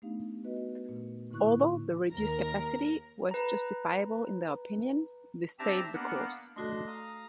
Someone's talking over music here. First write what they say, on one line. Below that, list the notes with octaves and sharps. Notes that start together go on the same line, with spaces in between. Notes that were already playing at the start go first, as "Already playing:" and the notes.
Although the reduced capacity was justifiable in their opinion, they stayed the course.
A3 B3 D4 D#4 G4 F5
B3 F#4 B4 D#5
A#2 A3
A2 D3 A#3 E4 C#6 F#6
D#2 A#4 A#5
B4 A#5
C4 D4 G4 E5 A5 A#5
A#3 B3 D4 F#5
A3 D4 F#4 A4 D#5 C6
F5 A#5 D#6